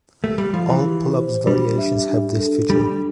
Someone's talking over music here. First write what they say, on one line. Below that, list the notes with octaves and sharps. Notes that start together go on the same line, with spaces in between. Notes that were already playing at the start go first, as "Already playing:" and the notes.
All Pull-ups variations have this feature.
A3 G4
G3
F3 F5
E3
G4
C5
G3 D4
E5
D4
A4
G3 D4